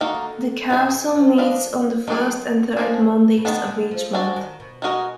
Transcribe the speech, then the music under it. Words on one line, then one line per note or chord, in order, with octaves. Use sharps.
The council meets on the first and third Mondays of each month.
D3 D#3 A#3 D#4 F#4 A#4
B2 F3 G#3 D#4 G#4
D3
F3
D4 F4 B4 D#5
D#3 F#3 G#3 D4 G#4
F3 G#3 D4
B2
D3 D#3 G#3 B3 D4
D3
F3
F#3 G#3 D4 F#4 D5
D#3
B2
G#3 D#4 F#4 A#4 D#5